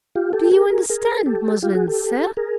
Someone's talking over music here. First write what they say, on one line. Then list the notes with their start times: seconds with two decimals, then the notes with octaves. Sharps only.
"Do you understand muslins, sir?"
0.15 F4 G4
0.33 G4 A4
0.52 G#4 A#4
0.70 G#4 A#4
0.90 G#4 A#4
1.26 G4 A4
1.62 F4 G4
1.75 F#4 G#4
1.87 G4 A4
2.37 G#4 A#4